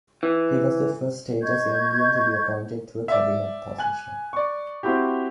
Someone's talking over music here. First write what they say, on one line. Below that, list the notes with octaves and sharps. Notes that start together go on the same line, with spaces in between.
He was the first Status Indian to be appointed to a cabinet position.
E3
D#5 C#6 G6 G#6
D5 E5
G#5 F#6 F#7
D5 C#6
C4 E4 F#4 G4